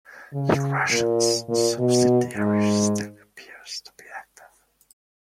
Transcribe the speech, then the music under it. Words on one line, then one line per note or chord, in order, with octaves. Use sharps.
The Russian subsidiary still appears to be active.
C#3
A#2
A#2
B2
G#2